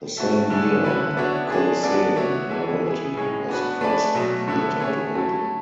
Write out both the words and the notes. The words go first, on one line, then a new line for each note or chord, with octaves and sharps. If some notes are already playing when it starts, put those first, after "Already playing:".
The same year "The Coliseum Novelty" was the first theater to open.
A3 C#4 F#4 A4 E5
D3 A3 D4 G#4
D3 F#3 C#4 E4 B4
B3 D4 F#4 C#5 E5
G#3 D4 G#4
F#3 B3 D4 A4 D5
B3 F#4 C#5 E5
E3 G#3 B3 E4 A4
B3 E4 G#4
A2 G#3 C#4 G#4 C#5
B3 D4 F#4 B4
A3 D4 G#4 B4 D5
B2 F#3 A3
D3 A3 E4
A3 C#4 G#4 C#5
F#3 A3 E4 A4